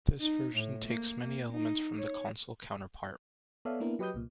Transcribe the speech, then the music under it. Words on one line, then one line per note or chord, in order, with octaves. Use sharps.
This version takes many elements from the console counterpart.
D#4
A2
A#3
A#3
D#4
C#5
B3 A4 C#5 D5 E5 F5
A#3 B3 D4 E4 A#4
F#3 G4 B4 D#5 D#6 G6
C2 A#2